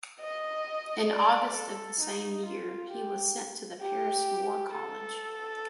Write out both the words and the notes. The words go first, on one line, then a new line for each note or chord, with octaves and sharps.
In August of the same year he was sent to the Paris War College.
D#5
D5
A4
D#4
F4
G4
G4
A4